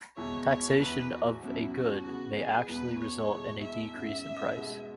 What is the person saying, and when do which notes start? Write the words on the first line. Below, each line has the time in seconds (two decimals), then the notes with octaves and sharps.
Taxation of a good may actually result in a decrease in price.
0.17 E2 B2 G#3 E4 C#5
0.49 C#5
0.80 E2 E3 B3 E4 B4
1.11 F#4
1.42 E2 B2 F#3 C#4 E4
1.74 F#4
2.05 C#3 E3 B3 F#4
2.37 G#4
2.68 E2 B2 B3 E4 B4
2.99 C#5
3.30 E2 B2 G#3 E4
3.62 E5
3.93 G#2 E3 C#4 E4 E5
4.56 B2 G#3 B3